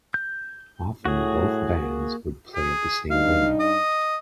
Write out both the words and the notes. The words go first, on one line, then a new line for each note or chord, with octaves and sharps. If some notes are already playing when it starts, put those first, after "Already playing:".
Often, both bands would play at the same venue.
G6
A2 F#4 G#4
A#3
G#4
G2 D#4 F5
D#5